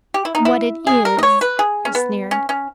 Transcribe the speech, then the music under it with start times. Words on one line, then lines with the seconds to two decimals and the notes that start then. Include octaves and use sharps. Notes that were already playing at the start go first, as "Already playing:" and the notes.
"What it is," he sneered.
0.14 G4
0.25 E4
0.35 D#4
0.45 E4
0.87 G#4
1.05 A#4
1.18 D#5
1.23 C#5
1.41 B4
1.59 G#4
1.85 C#4
1.95 B3
2.31 C#4
2.49 C#4